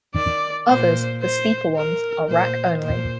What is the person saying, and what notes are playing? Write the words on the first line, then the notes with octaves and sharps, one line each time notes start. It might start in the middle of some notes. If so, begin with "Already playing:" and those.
Others, the steeper ones, are rack-only.
D#3 D5
A#2 C5
C5
A#4
A#2 C5
A#2 C5